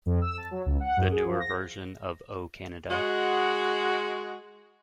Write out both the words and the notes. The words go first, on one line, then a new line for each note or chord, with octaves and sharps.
The newer version of O Canada!
F2
E6
A5
F#3
C#2
F#5
F#2
G#4
F3
A#6
G#3 F#4